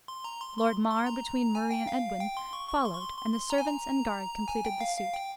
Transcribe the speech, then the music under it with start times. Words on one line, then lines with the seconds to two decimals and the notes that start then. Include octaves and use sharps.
Lord Mar, between Murray and Edwin, followed; and the servants and guard completed the suit.
0.08 C6
0.24 A#5
0.40 C6
0.58 C6
0.90 C6
1.06 A#5
1.55 G#5
1.71 G5
1.88 F5
2.20 G5
2.37 C6
2.53 C#6
2.69 C#6
2.85 C6
2.95 C#6
3.01 C6
3.18 C6
3.34 C6
3.50 A#5
3.58 G#5
3.67 A#5
4.48 G#5
4.65 G5
4.81 F5
4.97 F5
5.14 G5